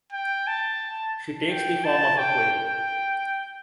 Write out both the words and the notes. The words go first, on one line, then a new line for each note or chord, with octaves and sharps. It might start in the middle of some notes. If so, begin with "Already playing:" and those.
She takes the form of a quail.
G5
A5
G5
A5
G5
G5